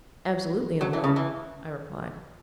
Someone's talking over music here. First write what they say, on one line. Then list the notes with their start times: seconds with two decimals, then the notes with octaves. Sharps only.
"Absolutely alone," I replied.
0.81 F#3
0.93 E3
1.04 C#3
1.16 E3